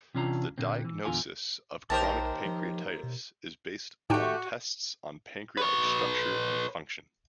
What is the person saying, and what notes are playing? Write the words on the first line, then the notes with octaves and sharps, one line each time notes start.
The diagnosis of chronic pancreatitis is based on tests on pancreatic structure and function.
C3 E3 C#4 D4 F4 A#5
A#2 D3 C4
E3
E2 A#2 D3 F4 G#5
A#1 D#2 G4 A#4 C5 A5
F3
B2
A2 A3 D#4 F#4 G4 G5
B4 C#5